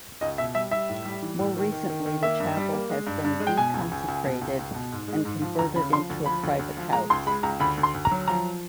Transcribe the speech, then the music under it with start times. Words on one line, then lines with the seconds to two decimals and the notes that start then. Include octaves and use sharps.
More recently the chapel has been deconsecrated and converted into a private house.
0.21 C#2 D#5
0.38 B2 E5
0.55 G3 E5
0.71 G3 E5
0.89 A2
1.05 G3
1.22 E3
1.39 A2
1.56 D#3
1.72 D#3
1.90 D#3
2.06 D#3
2.23 A#3 E5
2.40 G2
2.57 G3
2.73 A#3
2.90 G#3
3.07 G2
3.24 G2
3.40 G#3
3.47 G5
3.57 B2 G#5
3.74 C#2
3.91 C#2
4.08 C#2
4.25 B2
4.41 C#2
4.59 C#2
4.74 B2
4.92 G#2
5.08 G#3
5.25 G#2
5.42 F3
5.59 D2 A#5
5.76 C#3 B5
5.92 F3 C6
6.09 D2
6.26 F3 B5
6.43 D2
6.59 D2
6.77 F3
6.93 G#3 A#5
7.10 C#2 C6
7.26 G#3 B5
7.43 C#2 A#5
7.60 D2 B5
7.77 D2
7.83 C6
7.94 D2
8.05 A#5
8.11 F#3
8.28 F3 A#5